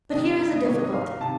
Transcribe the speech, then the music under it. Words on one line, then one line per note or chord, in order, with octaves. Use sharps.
But here is a difficulty.
C3 D#3 D#5
C#2
D#5
C3 D#3 C#5
D#5
C2 F5
C3 D#3 A5